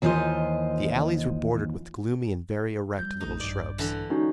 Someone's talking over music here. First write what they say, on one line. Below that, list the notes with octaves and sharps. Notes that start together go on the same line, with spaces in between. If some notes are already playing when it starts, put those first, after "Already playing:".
The alleys were bordered with gloomy and very erect little shrubs.
D#2 E3 F4 G#4 C5 D#5
F3 G3 G6
A1 A3 D#4
A#1 G2 D5
D3 E3
G#3 C#4 D#4 F#4